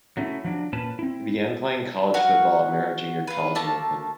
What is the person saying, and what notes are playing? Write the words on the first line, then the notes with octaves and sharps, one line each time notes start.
He began playing college football at Merritt Junior College in Oakland.
F#3 A3 C#4 E4
F3 F#3 D4
A#2 C#4 B4 A5
C4 E4
F#4 C#5 F5 F#5
F4 B4
A3 A#3 A5